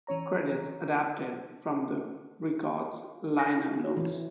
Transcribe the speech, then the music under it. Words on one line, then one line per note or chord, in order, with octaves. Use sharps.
Credits adapted from the records' liner notes.
E3 C#4 C#5 A#5
F#6 A#6
D#4 E4
F#4 C#5
E3